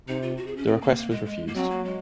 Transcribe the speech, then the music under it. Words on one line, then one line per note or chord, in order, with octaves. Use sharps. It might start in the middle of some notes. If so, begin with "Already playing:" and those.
The request was refused.
C3 D#4
F4
F#4
G#4
C#4
C4
A#3
A#3
G#3
G#3
A#3
F#3 C4
A#3
G#3